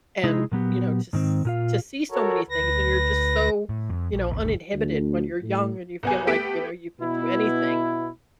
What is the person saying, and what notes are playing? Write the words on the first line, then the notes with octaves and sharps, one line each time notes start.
and, you know, to s to see so many things, and you're just so, you know, uninhibited when you're young, and you feel like, you know, you could do anything,
C3 G#3 D#4 E4 G#4
A#2 F#3 B3 G4
G#2 D#3 C4
A#2 F4 F5
F#4 A4 A#4 C#5
D2 B4 A#6
A2
F2
A#1
A1 D#2
G#1 D2 G2
D2
A2
C2 B3 G#5
A3 B3 G4 B6 D7
B2 B3 E4